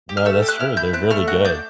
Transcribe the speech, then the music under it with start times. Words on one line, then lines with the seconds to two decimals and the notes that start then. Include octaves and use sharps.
No, that's true, they're really good.
0.09 G4
0.17 F6
0.25 A3 E6
0.42 G4
0.48 F#6
0.59 E4 F6
0.77 E4 G6
0.93 C4 F#6
1.10 A3 F6
1.28 F#4 F#6
1.45 D4 G6